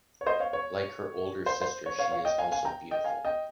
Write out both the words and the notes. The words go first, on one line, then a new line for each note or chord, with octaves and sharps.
Like her older sister, she is also beautiful.
C#5
C5 D#5
C#5 F5
C#5
C5
C5
C#5
C#5 F5
C#5 F5
D#5 G5
F5 G#5
F5 G#5
G5 A#5
D#5 G5
F5 G#5
D#5 G5